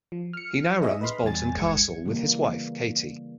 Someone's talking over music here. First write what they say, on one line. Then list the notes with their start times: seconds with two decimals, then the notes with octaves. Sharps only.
He now runs Bolton Castle with his wife Katie.
0.12 F3
0.33 F6 C#7
0.81 D#4 G#4 D#5 E5
1.01 B4 D#5 B5 C6 F6
1.24 E2 G3 G#5 A6
1.55 G1 D2 G#3 G#6 C#7
2.05 C#3 E3 G3 A#3